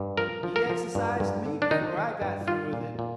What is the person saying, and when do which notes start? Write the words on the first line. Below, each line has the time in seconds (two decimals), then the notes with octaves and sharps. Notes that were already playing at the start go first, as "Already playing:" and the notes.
He exercised me before I got through with it.
Already playing: G2
0.17 F3 A#4
0.43 F3
0.56 A#4
0.69 F3
0.95 G2
1.20 G2
1.46 D3
1.62 D4
1.71 D#3 D#4
1.97 D#3
2.22 G2
2.47 G3 F4
2.73 A#2
2.99 A#2